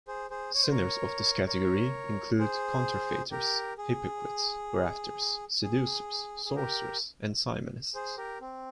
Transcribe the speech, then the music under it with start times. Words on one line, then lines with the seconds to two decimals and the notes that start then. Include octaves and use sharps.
Sinners of this category include counterfeiters, hypocrites, grafters, seducers, sorcerers and simonists.
0.08 G#4 C5
0.30 G#4 C5
0.54 C#5
0.63 C5
0.71 A#4 C#5
1.47 A#4 C#5
2.39 G#4 C5
3.31 G4 A#4
3.78 G#4
5.63 G#4
6.45 G#4
6.55 G4 A#4
7.94 G#4 C5
8.17 G4 A#4
8.41 C4